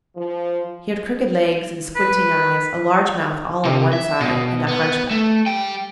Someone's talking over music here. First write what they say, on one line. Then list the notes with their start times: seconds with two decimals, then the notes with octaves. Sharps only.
He had crooked legs and squinting eyes, a large mouth all on one side, and a hunchback.
0.16 F3
1.96 B4
3.65 C3
3.93 E5
4.20 B2
4.68 B3
5.11 A3
5.46 G3 G5